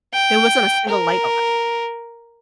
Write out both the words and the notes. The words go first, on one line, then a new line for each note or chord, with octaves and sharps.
There wasn't a single light on.
G5
A#4